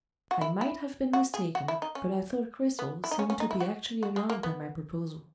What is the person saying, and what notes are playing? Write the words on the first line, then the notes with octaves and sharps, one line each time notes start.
I might have been mistaken, but I thought Cristel seemed to be actually alarmed by my proposal.
F#4
E4
E4
F#4
G#4
F#4
E4
D#4
C#4
B3
E4
D#4
C#4
C#4
D#4
E4
F#4
F#4
G#3
A#3
B3